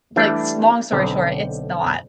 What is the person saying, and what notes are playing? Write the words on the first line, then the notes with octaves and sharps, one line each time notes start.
like s long story short, it's not
E3 G3 A3 D4
B1 D3 C4